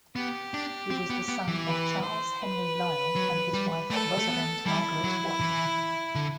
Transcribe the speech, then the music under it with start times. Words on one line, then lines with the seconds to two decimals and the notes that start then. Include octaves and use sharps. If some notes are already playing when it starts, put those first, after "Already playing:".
He was the son of Charles Henry Lyell and his wife Rosalind Margaret Watney.
0.15 B3 G4
0.54 D4
0.90 C4
1.10 B3
1.29 B3
1.48 E3
1.66 B4
2.03 C5
2.41 B4
3.16 F#3
3.54 G3
3.90 A3 A4
4.18 A3
4.29 B3
4.66 G3 E4
5.04 F#3
5.41 E3
6.15 D3